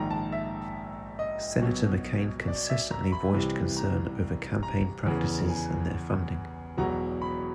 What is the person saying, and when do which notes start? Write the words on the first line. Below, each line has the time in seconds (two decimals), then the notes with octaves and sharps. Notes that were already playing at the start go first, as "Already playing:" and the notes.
Senator McCain consistently voiced concern over campaign practices and their funding.
Already playing: A#1 G#2 D#3 A#5
0.11 A5
0.32 E5
1.19 D#5
1.61 B1 B2 F#3
2.48 D5
2.70 E5
2.91 A#5
3.12 B5
3.33 C2 C3 E3
3.77 A#5
4.63 A#5
5.05 E2 C#3 E3
5.50 G#5
6.78 E1 E2 B2 F#3 A#5
7.22 B5